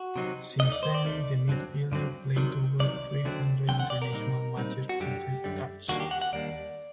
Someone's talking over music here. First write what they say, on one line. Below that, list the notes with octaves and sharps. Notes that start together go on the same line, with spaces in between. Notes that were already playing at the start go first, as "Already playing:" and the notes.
Since then the midfielder played over three hundred international matches for the Dutch.
Already playing: F#4
C3 F#3 C4 D#4
D2 C3 A3 D#4 D#5
D5
C5
D5
D2 C3 D#3 A3 D#4
G2 D3 F#3 C4
G2 D3 F#3 C4
C2 C3 D#3 F#3
C2 C3 D#3 F#3 D5
D#2 D3 F#3 A3 C4
D#2 D3 F#3 C4 G5
F#5
D5
A#4
A#2 G3 C4 D#4
A#2 G3 C4 D#4
F#4
F#2 D3 G3 G4
F#2 D3 G3
D#2 D#3 G3 A#3 D4 F#4
G4
F#5
F#5
D#2 D#3 G3 A#3 D4 D5